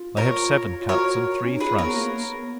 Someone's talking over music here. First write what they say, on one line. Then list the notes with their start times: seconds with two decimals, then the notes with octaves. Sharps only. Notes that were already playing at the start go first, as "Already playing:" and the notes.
They have seven cuts and three thrusts.
Already playing: F4
0.17 A#4 C#5
0.81 F4
0.89 F#4 A#4 C#5
1.45 C#4
1.52 D#4
1.60 F4 G#4 B4
1.78 B3 A#4 C#5
1.96 A#3
2.14 B3